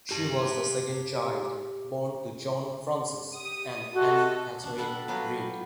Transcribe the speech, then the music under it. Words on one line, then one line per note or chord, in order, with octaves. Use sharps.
She was the second child born to John Francis and Annie Catherine Reid.
G4 A5
G4 D#6
F#4 G4 A4 D#5
D4
G3 A4 F#5 C6
F#3 B3 F#4 G4 F5